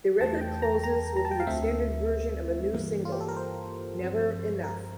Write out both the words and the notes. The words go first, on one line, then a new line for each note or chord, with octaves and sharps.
The record closes with the extended version of a new single, "Never Enough".
E2 E3 A3 A5
G5
A#5
A#5
A#5
A5
G5
F5
D2 D3 A3 C4 E5
G2 E3 A#3
F4
G4
A4
A#4
C5
G2 F3 C4
A#4